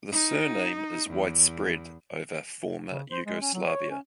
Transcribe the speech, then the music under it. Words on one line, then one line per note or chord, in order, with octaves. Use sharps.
The surname is widespread over former Yugoslavia.
D#4
E2
C#3
C5
G#3
C#4
F#3
C#5
C#4